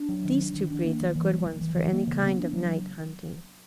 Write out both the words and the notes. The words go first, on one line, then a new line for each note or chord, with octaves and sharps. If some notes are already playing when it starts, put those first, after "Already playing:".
These two breeds are good ones for any kind of night hunting.
Already playing: D4
F#3
D#3
D4
D#3
D4
A#3
E3
E3
G3
E3
E3
E3
A#3
C#3
B3
D4
F#3